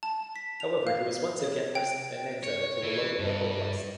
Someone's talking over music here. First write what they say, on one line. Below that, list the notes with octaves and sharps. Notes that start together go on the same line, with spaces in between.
However he was once again arrested and exiled to Vologda Oblast.
A5
B6
F7
F5
C#5
G5
C#5
E3
G2